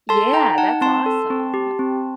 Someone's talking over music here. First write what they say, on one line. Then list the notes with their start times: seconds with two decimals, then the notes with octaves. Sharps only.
Yeah, that's awesome.
0.09 A4 A5 C6
0.33 D#4 G5 A#5
0.58 D#4 F#5 A5
0.81 C4 A5 C6
1.06 A4
1.30 C4
1.54 G4
1.79 C4